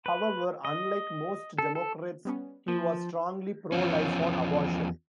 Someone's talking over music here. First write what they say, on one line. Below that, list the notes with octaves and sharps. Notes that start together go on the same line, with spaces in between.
However, unlike most Democrats, he was strongly pro-life on abortion.
B4
D#5
A4
A4
G3 B3 C#4
F3 A#3
E2 F3 C#4